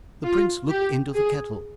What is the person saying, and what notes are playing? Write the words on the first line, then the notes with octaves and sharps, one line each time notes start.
The prince looked into the kettle.
F4
G4
G#4